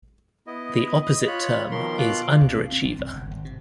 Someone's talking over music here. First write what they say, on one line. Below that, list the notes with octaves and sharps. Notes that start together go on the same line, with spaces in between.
The opposite term is underachiever.
B3 E4 D#5
D#5
F4 C#5 B5 F#6
B2 D#3 F3 A#4 C6
B2 F4 F5 D6 F#6
C2
C4
C4
G#1
C2
G1
G#1
C3